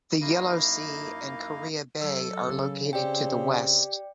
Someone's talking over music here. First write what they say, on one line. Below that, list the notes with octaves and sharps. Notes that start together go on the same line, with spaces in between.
The Yellow Sea and Korea Bay are located to the west.
F#2 A#3 D#4 E4 D#5 F5
F#3 A4
C#3
C4 G4 D5 G5